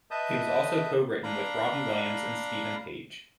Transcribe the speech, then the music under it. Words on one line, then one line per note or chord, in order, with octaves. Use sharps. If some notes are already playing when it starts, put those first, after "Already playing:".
He has also co-written with Robbie Williams and Steven Page.
B4 D#5 E5 A5 D#6 G6
D4 F5 A#5 B5